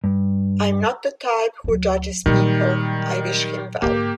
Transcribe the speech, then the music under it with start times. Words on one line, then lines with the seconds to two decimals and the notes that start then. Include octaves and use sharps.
I'm not the type who judges people, I wish him well.
0.04 G2
1.64 D2 F#3
2.26 A#2 D#3 F#3 G3
3.82 G#2 D3 A#3 G4